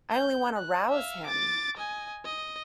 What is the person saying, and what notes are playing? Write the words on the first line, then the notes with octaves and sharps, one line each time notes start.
I only want to rouse him.
G6
F#6
E5 F5
D6 A6
D#5 G#5
D#5